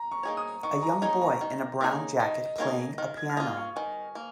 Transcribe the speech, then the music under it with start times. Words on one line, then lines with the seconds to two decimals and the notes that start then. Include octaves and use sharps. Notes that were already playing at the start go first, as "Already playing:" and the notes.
A young boy in a brown jacket playing a piano.
Already playing: A#5
0.11 C#6
0.23 A#3 D#4 G#4 C#5
0.37 D#6
0.63 D#3 C#6
0.83 A#5
1.02 A#3 D#4 G#4 C#5 A#5
1.22 A#5
1.41 D#3
1.81 A#3 D#4 G#4 C#5
2.19 D#3 D#5
2.58 A#3 D#4 G#4 C#5
2.98 D#3 F6
3.17 G#6
3.29 F6
3.37 A#3 F4 D#6
3.57 C#6
3.76 D#3 G#5
4.15 A#3